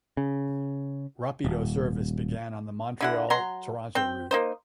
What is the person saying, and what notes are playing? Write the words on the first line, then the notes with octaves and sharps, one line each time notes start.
"Rapido" service began on the Montreal-Toronto route.
C#3
D#1
D3 E4 F#5
F#3 A#5 C6
C4 G5
A#3 D#4 C5